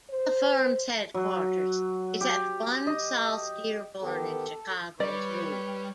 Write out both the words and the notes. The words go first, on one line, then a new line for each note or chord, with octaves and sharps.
The firm's headquarters is at One South Dearborn in Chicago's Loop.
C5
F#3
G4
D#5
D#3 B3 G4 A4
G3 B4 C#5 D5